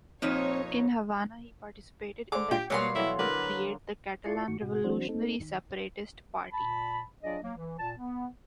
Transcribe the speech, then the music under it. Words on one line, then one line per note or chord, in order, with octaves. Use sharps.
In Havana, he participated in the attempt to create the Catalan Revolutionary Separatist Party.
F2 A#2 C4 D#4 C#5
D3 G#4 C5 D6
A#2 D4 F4 G4 G5
B2 F#3 G3 A#3 C#5 F5 C6
E3 F#3 E4 A4
D3 F#3 D4 A#4 B4
E4 F4 D5 A5 C6 C#6
G2 D#3 F#4 C#6
A2 C3 F#4
E3 F#3 C4 D4 F#4 C5
A3 C4 D#4 A4
D#3
A#2 A5 B5
F#3 D4 F4 G#4 D5 D#5
F#3 A#3
E3
A#2 A5
B3